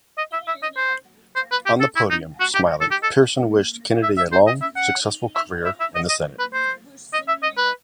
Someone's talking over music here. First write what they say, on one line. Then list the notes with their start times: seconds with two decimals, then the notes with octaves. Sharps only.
On the podium, smiling, Pearson wished Kennedy a long, successful career in the Senate.
0.18 D#5
0.33 E5
0.47 E5
0.63 D#5
0.77 C5
1.36 C5
1.52 B4
1.66 G4
1.81 A4
1.96 E4
2.10 D#4
2.40 F#4
2.55 G4
2.81 A4
2.91 G4
3.03 A4
4.03 E5
4.17 E5
4.32 C5
4.47 D#5
4.62 E5
4.76 F#5
5.36 E5
5.65 E5
5.80 E5
5.95 D#5
6.09 D#5
6.39 B4
6.54 C5
7.14 D#5
7.28 E5
7.43 D#5
7.57 B4